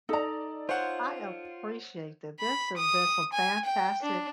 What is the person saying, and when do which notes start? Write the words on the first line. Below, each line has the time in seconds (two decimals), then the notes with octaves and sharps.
I appreciate that. This has been some fantastic,
0.09 D#4 A4 D5 A#5
0.69 F4 C5 C#5 F#5
2.40 B5
2.77 D#6
3.33 G#5
3.65 G5
4.02 D4